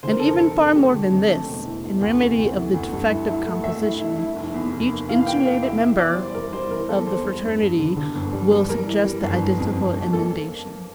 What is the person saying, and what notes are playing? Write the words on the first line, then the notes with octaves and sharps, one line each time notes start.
And even far more than this, in remedy of the defective composition, each insulated member of the fraternity will suggest the identical emendation.
D3 C5
A#4
F1 A4
A#4
F1 A4
F2
A3 G4
D3
F2
A3
E1
E3
E1
D2
C3
D2
E3
D2
G2
E4
E4
A3
A3 E5
E4
E4
E4
F1
E2
F1
A#3
E3 F5
F5
E2 G5
A#3 F5
E2 E5
E3 E5
E2 D5
G3 C5
G3 A#4
G3 C5
E3 A#4
E2 A4
E2 C5
G3
G2
G2
D3
D3
G1
G3
G3
G3 A#4
E3
G3
G1
G1
F2
F2
G1
A#3 A4